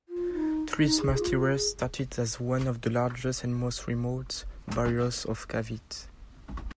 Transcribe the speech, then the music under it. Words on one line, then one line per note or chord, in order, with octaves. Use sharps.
Trece Martires started as one of the largest and most remote barrios of Cavite.
F4
D#4
D#4
G#4
F4
G#4